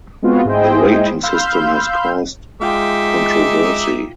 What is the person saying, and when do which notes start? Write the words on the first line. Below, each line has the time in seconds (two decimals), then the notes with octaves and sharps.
The rating system has caused controversy.
0.22 G#3 B3 C4 F4 F#4
0.45 G#2 E4 G#4 C5 D#5 G5
1.23 F5 B5 C6 E6 F6 G6
2.61 G#3 D#4 F4 E5 G5 D6